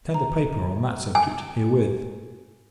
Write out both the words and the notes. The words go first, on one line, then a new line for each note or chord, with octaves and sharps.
I send a paper on that subject, herewith.
A#5
G#5